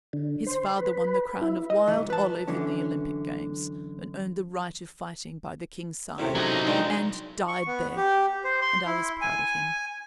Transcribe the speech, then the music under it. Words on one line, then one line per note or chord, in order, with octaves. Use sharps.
His father won the crown of wild olive in the Olympic games, and earned the right of fighting by the king's side, and died there; and I was proud of him.
D3
C5
B4
E4
D#5
C2 G#2 E3
B4 A5
F#2 D3 E3 C#4
F#2 A2 C3
F#3 D#4
G2 D#3 G#3
C#6
B3
G4
C5
C6
E4
G#5